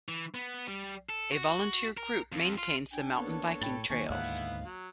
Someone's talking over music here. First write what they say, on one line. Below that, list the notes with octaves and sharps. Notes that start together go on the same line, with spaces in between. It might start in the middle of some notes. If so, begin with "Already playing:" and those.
A volunteer group maintains the mountain biking trails.
E3
B3
G3
A4
F#4
A#4
F2
F4
D4 G5 G#5
A#3 B3 A4 C#5
A2 G5 B5 A6
D#2 D#3 G#5 C#6
D2 G#2 D#3 B3 E4 F5 F#5
F#3